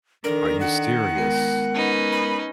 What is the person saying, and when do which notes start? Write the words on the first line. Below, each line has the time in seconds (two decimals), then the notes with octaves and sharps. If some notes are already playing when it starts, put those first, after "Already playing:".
Are you serious?
0.24 D#3 D4 A4 A#4 D5
0.61 F#5
1.15 G#3 B3 A#4
1.73 C#4 D#4 B4
2.12 B5